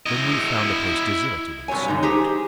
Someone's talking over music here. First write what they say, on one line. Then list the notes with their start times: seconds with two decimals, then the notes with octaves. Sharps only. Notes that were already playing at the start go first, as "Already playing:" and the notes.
Then we found a place deserted and silent.
0.06 E4 D#5
1.68 G2 C3 F#4 C#5 G#5
1.87 D3 G#3 D#4 A#5
2.03 D#4 G4 G#4 C5